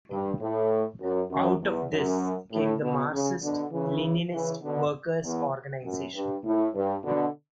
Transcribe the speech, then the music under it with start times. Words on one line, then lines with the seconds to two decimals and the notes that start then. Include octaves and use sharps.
Out of this came the Marxist-Leninist Workers Organization.
0.10 G2
0.40 A2
1.01 F#2
1.31 F#2
1.61 E2
1.91 F#2
2.52 A2
2.82 B2
3.12 C#3
3.42 B2 D3
3.72 C#3 E3
4.32 C#3 E3
4.62 B2 D3
5.23 E2
5.84 F#2
6.14 G2
6.44 A2
6.74 G2
7.04 B2 D3